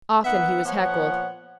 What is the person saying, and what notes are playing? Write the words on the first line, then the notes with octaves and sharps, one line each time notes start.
Often he was heckled.
D#3 B3 E5 F#5
A#2 F3 B3 C#5 F#5